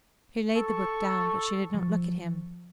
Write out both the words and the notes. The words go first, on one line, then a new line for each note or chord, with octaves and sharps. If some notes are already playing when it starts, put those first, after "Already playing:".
She laid the book down, but she did not look at him.
A4 C#6
F3